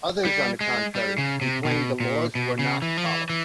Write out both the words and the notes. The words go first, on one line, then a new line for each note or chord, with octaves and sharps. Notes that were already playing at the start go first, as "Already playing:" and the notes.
Others, on the contrary, complained the laws were not followed.
G3
G#3
G3
C#3
C3
B2
A#2
B2
C#3
E3
F3
E3
E3